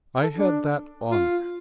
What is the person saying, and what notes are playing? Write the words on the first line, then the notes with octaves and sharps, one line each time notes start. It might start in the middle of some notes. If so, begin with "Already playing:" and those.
I had that honour.
A4
D4
F4